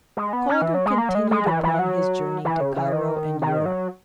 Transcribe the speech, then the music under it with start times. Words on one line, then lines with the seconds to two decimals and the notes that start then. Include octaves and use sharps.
Calder continued upon his journey to Cairo and Europe.
0.17 G#3
0.33 B3
0.49 C#4
0.62 E3
0.74 F#3
0.86 G#3
0.98 A#3
1.09 F#3
1.15 G#3
1.31 G#3
1.46 E3
1.63 E3
1.79 F#3
2.45 E3
2.61 C#3
2.76 C#3
2.93 D#3
3.42 D#3
3.66 F#3